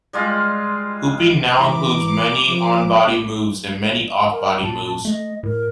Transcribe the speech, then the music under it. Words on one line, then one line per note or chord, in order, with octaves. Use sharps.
Hooping now includes many 'on body' moves and many 'off body' moves.
G3 G#3 F4
E3 E5 A#5 B5 D6
F3
A#4
A#2 A5
A3 D#5
A2 A#4